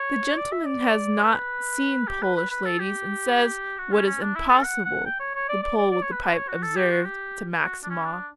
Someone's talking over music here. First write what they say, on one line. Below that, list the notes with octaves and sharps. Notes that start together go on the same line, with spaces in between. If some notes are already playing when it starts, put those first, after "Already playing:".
"The gentleman has not seen Polish ladies, and says what is impossible," the Pole with the pipe observed to Maximov.
Already playing: C#5
D5
E5
D5
B4
G4
B4
B4
B4
A4
G4
F#4
C#4
C#4
D4
E4
A4
F#5
F#5
G5
C#5
C#5
D5
D5
D5
D5
C#5
B4
B4
C#5
F#4
A4
G4
F#4
G4
F#4
D4
C#4
D4